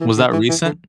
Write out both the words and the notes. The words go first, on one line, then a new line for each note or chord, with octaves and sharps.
Was that recent?
E3
D3
E3
E3
D3